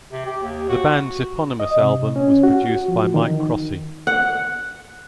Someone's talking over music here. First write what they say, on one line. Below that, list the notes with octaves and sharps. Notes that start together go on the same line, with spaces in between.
The band's eponymous album was produced by Mike Crossey.
C3
G4
D#2
F#4
D#5
C3
C#4
F#4
F3
D#3
F#5